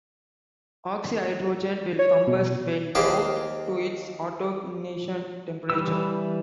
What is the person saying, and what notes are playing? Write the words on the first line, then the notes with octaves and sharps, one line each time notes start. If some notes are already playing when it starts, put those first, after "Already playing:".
Oxyhydrogen will combust when brought to its autoignition temperature.
C#5
B2
D#2 A#3 G4 G#4 C5 D6
E3 G3 E6